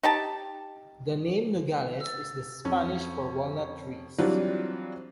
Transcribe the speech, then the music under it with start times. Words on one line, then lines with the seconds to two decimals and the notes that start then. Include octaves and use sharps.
The name "Nogales" is the Spanish for walnut trees.
0.03 D#4 G4 A5
2.65 F2 C#4
4.19 E3 F#3 G3 C4 D4 F4